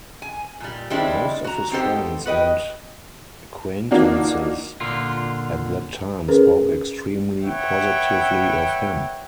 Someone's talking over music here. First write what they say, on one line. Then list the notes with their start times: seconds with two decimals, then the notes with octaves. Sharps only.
Most of his friends and acquaintances at that time spoke extremely positively of him.
0.22 G#5
0.60 A#2 G3
0.90 D#3 G3 G#3 C4 D4 E4
1.44 F#4 A#5
1.71 B3 C4 D#4 G4 A4 C5
2.26 F#4 B4 D#5 G5
3.91 E3 A#3 D4 D#4 F4 F#4
4.80 A#2 D3 F4
6.28 C#4 G#4 A#4 B4
7.43 B4 C#5 E5 F#5 G5